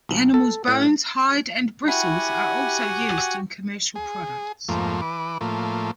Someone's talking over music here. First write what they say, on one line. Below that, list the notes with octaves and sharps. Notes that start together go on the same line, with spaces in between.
The animal's bones, hide, and bristles are also used in commercial products.
B1
A4
A2
E4 F#4 G4 F#5 G#5
G#4
F2 G#2 F3 A3 A#3
E3 B4 D6
A2 F3 A3 A#3